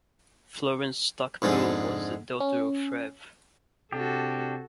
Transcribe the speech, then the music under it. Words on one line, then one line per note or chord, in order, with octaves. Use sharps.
Florence Stacpoole was the daughter of Rev.
F2 G#2 D3 G#3
C#4
C3 D4 F#4 G4 A4